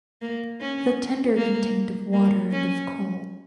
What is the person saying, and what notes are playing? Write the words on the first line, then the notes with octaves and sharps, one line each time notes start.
The tender contained of water and of coal.
A#3
C#4
A#3
A#3
C#4